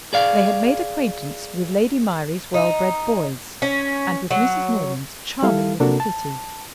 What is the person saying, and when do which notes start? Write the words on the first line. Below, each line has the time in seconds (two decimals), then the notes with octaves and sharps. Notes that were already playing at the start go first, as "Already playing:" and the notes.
They had made acquaintance with Lady Myrie's well-bred boys, and with Mrs. Norman's charming little Kitty.
0.13 G#4 D5 F5
2.54 D#4
3.62 C#4
4.31 F#3
5.43 G3 E4 A4 F5
5.80 C3 A#3 D4 F#4 A4 A#4
6.00 A5